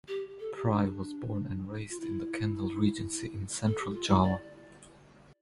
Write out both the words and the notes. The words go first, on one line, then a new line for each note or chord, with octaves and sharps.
Prie was born and raised in the Kendal Regency in Central Java.
G4
A4
G4
D4
F4
E4
A4
G4
F4
E4
D5